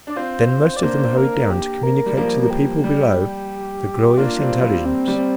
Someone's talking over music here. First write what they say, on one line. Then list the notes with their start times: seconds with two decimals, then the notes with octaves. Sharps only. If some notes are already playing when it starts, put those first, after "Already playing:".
Then most of them hurried down to communicate to the people below the glorious intelligence.
0.07 D4 D5
0.16 C4 F4 C5
0.73 C4 D5
0.83 A#3 D4 C5
1.17 A#4
1.50 G4
1.83 A#4
2.06 G3
2.17 F3 A#3 A#4
2.41 A#4
2.50 G4
2.84 G3
4.18 A#3 D4 F4
4.35 D4
4.40 G3 C4
4.63 G3 C4
4.85 C4
5.08 G3
5.18 C4